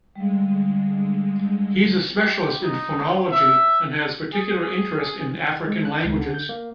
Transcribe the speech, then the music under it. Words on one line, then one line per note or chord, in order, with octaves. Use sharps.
He is a specialist in phonology, and has particular interest in African languages.
D3 G3 G#3 F5
G4
D#4
E5
G#4
G#3
F#6
C#2
D3
G6
A#3